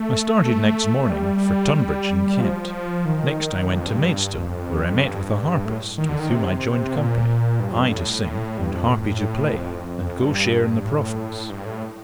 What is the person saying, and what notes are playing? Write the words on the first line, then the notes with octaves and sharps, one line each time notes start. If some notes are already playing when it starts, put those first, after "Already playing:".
I started next morning for Tunbridge, in Kent; next I went to Maidstone, where I met with a harpist with whom I joined company, I to sing, and harpy to play, and go share in the profits.
Already playing: A3
A3
G3
G3
F3
D#3
F2
G2
F2
G2
A2
D#3
D3
D#3
C3
A#2
G2
F2
G2
A2
G2
F2
A2
F2
G2
A2
G2
A2